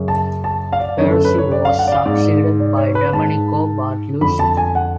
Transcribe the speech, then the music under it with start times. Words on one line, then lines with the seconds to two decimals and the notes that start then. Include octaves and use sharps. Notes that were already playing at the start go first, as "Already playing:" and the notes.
Perosi was succeeded by Domenico Bartolucci.
Already playing: F#2 C#3
0.08 A5
0.44 A5
0.72 F5
0.80 D5
0.98 F#2 D3 C#5
1.11 A4
1.25 B4
1.38 C#5
1.52 D5
1.65 F5
1.79 F#5
1.88 D5
1.92 F5
2.06 G#2 D5
2.60 D5
2.77 C#5
2.95 B4
3.13 G#2 A5
4.21 F2 D3 B5
4.39 A5
4.57 G#5
4.75 F#5